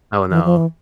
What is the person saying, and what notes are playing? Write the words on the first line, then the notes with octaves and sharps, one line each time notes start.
Oh, no.
E3
F3
E3